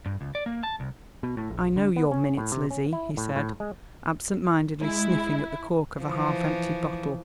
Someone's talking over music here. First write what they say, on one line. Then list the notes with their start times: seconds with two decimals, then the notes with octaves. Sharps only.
"I know your minutes, Lizzie," he said, absent-mindedly sniffling at the cork of a half-emptied bottle.
0.06 G2
0.21 C#2
0.35 D5
0.46 A#3
0.63 A5
0.80 C2
1.23 B2
1.37 A2
1.50 A#1
1.76 D3
1.96 B3
2.11 C#4
2.37 A2
2.52 C3
2.71 C#4
2.93 E4
3.17 A2
3.36 A2
3.60 G#3
4.82 G#3 E4
6.01 E3 F3